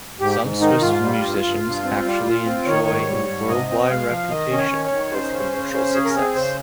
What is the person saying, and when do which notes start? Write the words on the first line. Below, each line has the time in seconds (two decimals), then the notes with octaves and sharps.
Some Swiss musicians actually enjoy a worldwide reputation, with commercial success.
0.20 G#2 G4
0.41 G#2
0.61 D#3 D#4
0.81 G#2 F4
1.02 G3
1.22 G2
1.43 G2
1.63 G2
1.84 C4
2.05 G3
2.25 A#2
2.46 C4
2.66 D#3 C#5
2.87 G#2
3.07 G3
3.28 G#2
3.48 C3 D#5
3.69 C4
3.89 G#3 F5
4.10 F3
4.30 D#3 D#5
4.51 C#4
4.58 C#5
4.71 D#3
4.85 C#5
4.91 D#3
5.12 C#3 C5
5.33 C#4
5.53 C#3
5.74 C#4
5.94 C#3 G#4
6.05 A#4
6.15 C4 G#4
6.35 C#3 C5